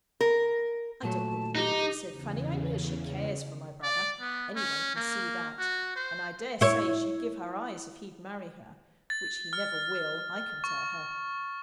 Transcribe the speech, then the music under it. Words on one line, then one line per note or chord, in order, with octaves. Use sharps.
'I don't believe it,' said Fanny. 'I know she cares for my brother; any one can see that; and I dare say, she'd give her eyes if he'd marry her,--which he never will, I can tell her.
A#4
A#2 F#3 A3 A5
D#4 G4
E2 C#3
D5
B3
C#4
A#3
F#4
C5
E4 C#5
A6
F6
C#6